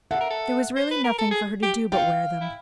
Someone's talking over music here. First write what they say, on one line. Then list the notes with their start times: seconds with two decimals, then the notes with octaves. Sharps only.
There was really nothing for her to do but wear them.
0.11 A4 E5 F#5
0.20 A#4
0.30 A4
0.76 C5
0.91 B4
1.04 A#4
1.18 A4
1.31 G#4
1.62 G4
1.92 F4 F5 G5
2.41 E4